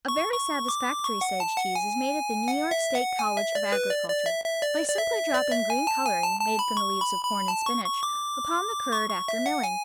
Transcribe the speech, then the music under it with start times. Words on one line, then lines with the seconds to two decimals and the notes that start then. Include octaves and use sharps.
A very satisfactory Sage cheese is made at the New York State College of Agriculture by simply dropping green coloring, made from the leaves of corn and spinach, upon the curd, after milling.
0.08 C#6
0.33 C#6
0.68 D6
1.04 C#6
1.21 F#5
1.40 A5
1.57 F#5
1.75 G#5
2.48 F#5
2.71 E5
2.95 F#5
3.19 G#5
3.37 E5
3.55 D5
3.72 B4
3.90 D5
4.09 D5
4.26 E5
4.44 E5
4.62 D5
4.89 D5
4.98 E5
5.34 D5
5.52 E5
5.70 G#5
5.87 A5
6.06 G#5
6.23 A5
6.41 A5
6.59 B5
6.77 C#6
7.01 B5
7.25 B5
7.48 A5
7.66 C#6
7.85 C#6
8.03 D6
8.92 C#6
9.10 C#6
9.28 E5
9.46 F#5
9.63 G#5